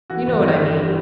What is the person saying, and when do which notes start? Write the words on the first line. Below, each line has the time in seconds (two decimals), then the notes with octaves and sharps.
"You know what I mean."
0.10 E3 F#4
0.27 G1
0.44 E3
0.61 E3
0.78 G3